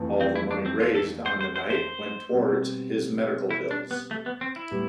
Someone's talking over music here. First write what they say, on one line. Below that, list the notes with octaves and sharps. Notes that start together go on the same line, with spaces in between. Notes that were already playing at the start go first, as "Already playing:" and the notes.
All the money raised on the night went towards his medical bills.
Already playing: F2 E3 A3
C4
E4
D4
C4
F4
A4
C5
C5
C5
C5
B2 G3 C4
E4
D4
B3
A3
B3
C4
E4
A2 G3 B3